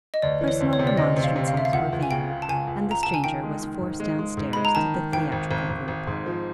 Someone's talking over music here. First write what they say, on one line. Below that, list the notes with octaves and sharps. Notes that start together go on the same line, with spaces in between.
Personal remonstrances were vain, and the stranger was forced down stairs to the theatrical group.
D#5
D2 D5
E3
C#5
D2
C#5
C3
D5
D2 D#5
C3
F5
C3
F5
C3 E5
F5
C#2 F#5
C#2
G#5
C#3 G5
C#3
A5
C#2 G#5
C#2
C#2 A#5
C#2 A5
G#5
D#3 G5
G#3
D#3
G#2
G#3
G#3
G#2
G#3 B5
A#5
D#3 A5
D#3
G#1 G5
G#1
G#1
G#1
G#1
G#2
F3